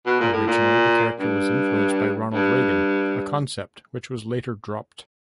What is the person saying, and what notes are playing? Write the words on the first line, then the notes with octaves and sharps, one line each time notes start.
Originally, the character was influenced by Ronald Reagan, a concept which was later dropped.
B2
A#2
A2
A#2
G2
G2